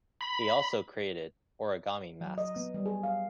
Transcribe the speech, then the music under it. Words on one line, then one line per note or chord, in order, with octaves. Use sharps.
He also created origami masks.
B5
F#3
D#5
B3
G3
G#4
F5